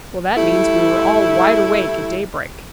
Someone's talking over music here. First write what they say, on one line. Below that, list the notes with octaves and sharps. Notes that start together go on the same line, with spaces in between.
"Well, that means we were all wide awake at daybreak."
G3 A3 E4